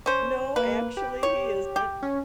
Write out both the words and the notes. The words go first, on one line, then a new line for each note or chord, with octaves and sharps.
No, actually, he isn't.
C#4 C5
A#3 B4
G4
C#5
G4
C#4